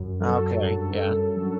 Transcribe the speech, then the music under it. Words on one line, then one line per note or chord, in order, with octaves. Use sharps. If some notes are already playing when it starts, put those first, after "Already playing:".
Okay. Yeah.
Already playing: F#2
F#3 A4
G2
F#2
F#3